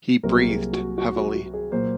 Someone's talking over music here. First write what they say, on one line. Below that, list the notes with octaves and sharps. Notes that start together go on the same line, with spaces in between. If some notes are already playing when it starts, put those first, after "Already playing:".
He breathed heavily.
C2 C3 F#3 A#3 A#4
G#4
F#4
F#4
F#4
F#4
G#4
A#2 F#3 A#3 C5